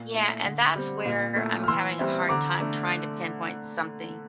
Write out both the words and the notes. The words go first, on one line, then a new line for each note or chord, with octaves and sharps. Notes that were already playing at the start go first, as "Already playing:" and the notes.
Yeah, and that's where I'm having a hard time trying to pinpoint something.
Already playing: A#2
A3 E4
D3
G3 C4
A#2
A3 E4
F6
E3 C6 E6
G3 C4 E4
D3 A#5 D6
A3 D4